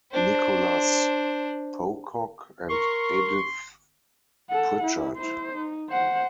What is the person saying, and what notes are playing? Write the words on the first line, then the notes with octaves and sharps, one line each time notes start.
Nicholas Pocock and Edith Prichard.
D4 C5
A#4 C6 C#6
A4 F#5
E4
E4 C5
D#4
C5 F#5